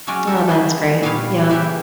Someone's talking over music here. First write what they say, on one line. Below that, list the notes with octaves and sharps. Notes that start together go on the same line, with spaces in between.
Oh, that's great, yep,
F#3 G#3 C#4 F#4 D5
A4 A#4 E5
G3 F#4 G#4 B4 C5
A#2 G3 B3 B4 C#5 F5
C#3 E3 A#3 G4 E5